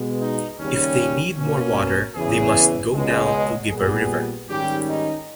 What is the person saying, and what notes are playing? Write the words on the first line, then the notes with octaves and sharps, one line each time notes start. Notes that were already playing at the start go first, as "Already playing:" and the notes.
If they need more water they must go down to Giba River.
Already playing: B2 G#3 B3
D#4
D#2 C#3 G3 C#4
B2 A#3 C#4
E2 C#3 E3 G#4
C#2 B2 G#3
A#2 G3 B3 G#4
G#2 D#3 G3 C#4 G4
D#4